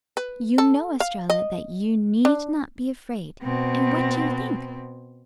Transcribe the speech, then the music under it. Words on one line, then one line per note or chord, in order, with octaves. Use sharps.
You know, Estralla, that you need not be afraid. And what do you think!
B4
A4
F5
D#5
D4
B2 C4